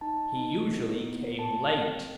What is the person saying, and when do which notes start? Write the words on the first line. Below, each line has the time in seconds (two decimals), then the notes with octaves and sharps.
He usually came late.
0.01 D#4 A5
0.36 D#4
0.70 B3
1.05 B3
1.39 A4 A5
1.73 C4